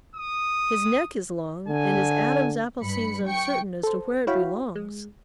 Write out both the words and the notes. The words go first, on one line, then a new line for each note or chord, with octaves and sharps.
His neck is long and his Adam's apple seems uncertain as to where it belongs.
D#6
D3 G#5
G2 B5 C#7
F#3 G5 C#6 C#7
A4 C5
E4 F#4 C#5 F5 G5 B5
G#3